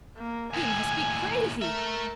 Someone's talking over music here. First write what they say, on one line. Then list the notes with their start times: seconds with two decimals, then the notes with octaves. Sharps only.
He must be crazy.
0.17 A#3
0.53 D#2 A2 G#5
1.62 A3 A#4 E5